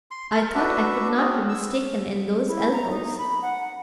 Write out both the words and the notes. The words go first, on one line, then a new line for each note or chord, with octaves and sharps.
I thought I could not be mistaken in those elbows.
C6
A#4
D4 F#4 B4 E5
C4 C#4 F#4 G#4
E6
E4
A#5
D#4
B5
F#5